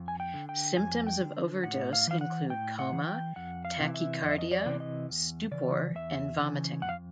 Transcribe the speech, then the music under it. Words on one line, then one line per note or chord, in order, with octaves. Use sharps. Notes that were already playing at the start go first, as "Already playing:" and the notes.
Symptoms of overdose include coma, tachycardia, stupor, and vomiting.
Already playing: F2
G#5
G5
D3
G5
F2 G#5
G5
D3
A2 F#5
F5
E3 F5
F#5
A2 G5
F#5
E3
G5
F2 F#5
F5
C3 E3
E5
F2 D#5
E5
D#5
D5
C3 E3
D#5
E2
C#3 E3 D5
E2 E5
C#3 E3
F2 F#5
F5